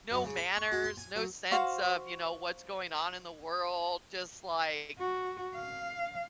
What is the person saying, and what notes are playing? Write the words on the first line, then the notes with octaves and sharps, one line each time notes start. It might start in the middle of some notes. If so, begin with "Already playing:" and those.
no manners, no sense of, you know, what's going on in the world, just, like
F#2
C#3
B5
C#6
F#4
C6
G#5
F#3
F#4 C5 F5 C#6
F#4
F5